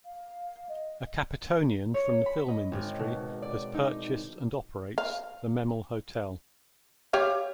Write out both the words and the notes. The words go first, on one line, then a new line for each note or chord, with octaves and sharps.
A Capetonian from the film industry has purchased and operates the Memel Hotel.
F5
D#5
C#5
B5
D#5
G#1
B2
D5
D#4
F5
G4 C#5 F5